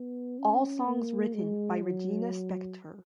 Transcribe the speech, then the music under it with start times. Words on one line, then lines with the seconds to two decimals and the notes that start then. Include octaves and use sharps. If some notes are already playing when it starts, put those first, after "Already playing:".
All songs written by Regina Spektor.
Already playing: B3
0.39 C#4
0.86 A#3
1.34 G#3
1.82 F#3